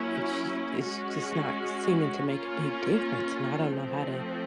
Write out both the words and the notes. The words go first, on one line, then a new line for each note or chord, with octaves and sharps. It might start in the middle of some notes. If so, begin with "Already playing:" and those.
it's just it's just not seeming to make a big difference, and I don't know how to
Already playing: F#3 A#3 C#4 E4
G#3 C#4 F#4
A#3 C#4 F4
F3 A3 C4